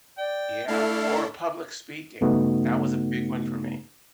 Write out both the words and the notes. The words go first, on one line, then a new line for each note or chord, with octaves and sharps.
Yeah, or public speaking. That was a big one for me.
D5 G5
A3 D4 E4 A4 F5
G2 C#3 A3 B3 D#4 F#4